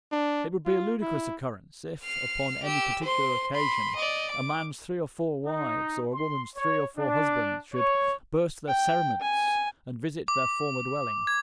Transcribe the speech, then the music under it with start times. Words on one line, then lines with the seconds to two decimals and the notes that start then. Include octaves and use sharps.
It would be a ludicrous occurrence, if, upon any particular occasion, a man's three or four wives, or a woman's three or four husbands, should "burst their cerements," and visit their former dwelling.
0.12 D4
0.66 F4
1.01 E4
2.03 F6 C7
2.63 G4 E6
3.04 C5 C6
3.53 B5 C6
3.95 D5 D#5
4.31 D6
5.45 D#4
6.14 C6
6.56 C#5
6.97 D4
7.74 C#5
8.68 G5
9.21 G#5
10.28 D6
11.27 G#6